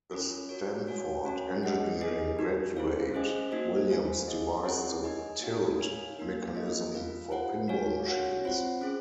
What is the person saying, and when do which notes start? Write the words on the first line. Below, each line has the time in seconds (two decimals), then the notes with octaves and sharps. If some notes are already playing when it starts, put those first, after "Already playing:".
A Stanford engineering graduate, Williams devised the "tilt" mechanism for pinball machines.
0.11 C#4 F4 A#4 C#5 G#5
0.49 F#4 A#4 C#5
0.87 F#4 C#5 G#5
1.25 C#4 F#4 C#5 G#5
1.63 G#4 D#5 F#5
2.01 G#4 D#5 G#5
2.39 D#4 F#4 A#4
2.77 G#4 C5 F5
3.14 C#4 G#4 C5 D#5 G#5
3.52 A#3 D#4 F#4 C5 D#5
3.90 F4 C5 F5 G#5
4.28 G#4 D#5 G#5
4.65 C4 F4 G#4 C#5 F#5
5.03 D#4 A#4 D#5 G#5
5.41 A#3 D#4 F#4 C#5 F5
5.79 D#4 A#4 C#5 F5 G#5
6.17 A#3 D#4 A#4 F5
6.55 A#3 F4 G#4 D#5
6.92 F4 A#4 F5
7.31 F4 C5 F#5
7.68 F#4 C#5 F5 G#5
8.06 F#4 C#5 F#5
8.44 C4 F4 C5 F#5
8.81 C#4 G#4 C5